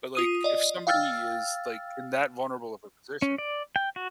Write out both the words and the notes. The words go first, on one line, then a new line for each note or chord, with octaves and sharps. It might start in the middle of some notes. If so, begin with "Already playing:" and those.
but like if somebody is like in that vulnerable of a position
F4 D#6 D#7
D5 D#5
F5 G5 E6 F6 A6
C#4
D5
G5
F#4